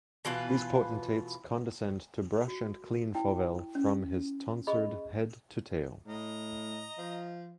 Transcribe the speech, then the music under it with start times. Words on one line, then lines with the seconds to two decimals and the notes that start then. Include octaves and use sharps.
These potentates condescend to brush and clean Fauvel from his tonsured head to tail.
0.25 B2 E3 F4 B4
2.48 F#4
3.15 E4 G5
3.75 C#4
4.67 G#4 D#5 B5 C#6
6.06 A2 D#5 A#5
6.98 F3